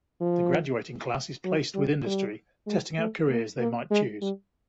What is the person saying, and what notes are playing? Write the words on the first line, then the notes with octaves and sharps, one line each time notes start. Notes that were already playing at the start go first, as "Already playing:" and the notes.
The graduating class is placed with industry, testing out careers they might choose.
F3
F#3
G3
G3
G#3
A3
A#3
A#3
G#3
G3